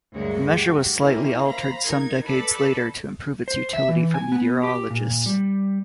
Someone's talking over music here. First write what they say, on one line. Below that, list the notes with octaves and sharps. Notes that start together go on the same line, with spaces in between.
The measure was slightly altered some decades later to improve its utility for meteorologists.
D2 G2 D3 G#3 A#3 C#5
F#4 G4
A#3 C4 C#4 E4 A#4
C5 F5 A#5 B5
D#4 A#4 G#6
A4 B4 D5 A5 B5
C5
E5
E3
G#5
B3
G4
A#2
G3